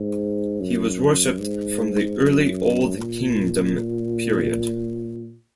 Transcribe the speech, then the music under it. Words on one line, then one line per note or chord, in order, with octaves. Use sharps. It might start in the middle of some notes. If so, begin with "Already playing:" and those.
He was worshipped from the early Old Kingdom period.
Already playing: G#2
F#2
G#2
F#2
A#2